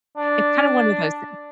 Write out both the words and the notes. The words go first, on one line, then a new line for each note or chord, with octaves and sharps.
it's kinda one of those thing
D4